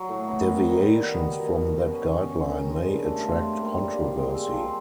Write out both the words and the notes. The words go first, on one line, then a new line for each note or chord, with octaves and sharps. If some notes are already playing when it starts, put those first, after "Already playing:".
Deviations from that guideline may attract controversy.
Already playing: F#3
A2
B3
D#3
D#3
G3
B3
D#3
B2
B2
B2
C#4
C#4
C#4
D#3
G#3
G2
A3
F4
C4
A#3
G3
G#2
G#3
C4
F3